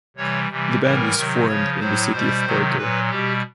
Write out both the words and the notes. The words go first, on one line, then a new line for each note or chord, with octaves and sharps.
The band was formed in the city of Porto.
C3 E3 G3 C#5
C3 E3 G3
A2 E3 G3 A#4
C3 D#3 F#3
C#3 F3 C#5
A2 F#3 C5
B2 G3 C5
C3 D#3 F#3
A#2 F#3 B4
B2 G3 G4